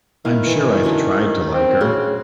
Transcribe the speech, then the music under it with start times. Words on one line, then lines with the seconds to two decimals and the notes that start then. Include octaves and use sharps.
I’m sure I’ve tried to like her.
0.25 D#3 E4 F5
0.46 E3 C#6
0.83 D3 F#3 C#4
1.54 C4
1.81 C#3 F#4 C6